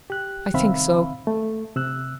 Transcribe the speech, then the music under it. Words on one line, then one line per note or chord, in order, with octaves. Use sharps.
I think so.
G4 F#6
C2 D#3 C4 E5 F5 B5
A3
C3 E6 F#6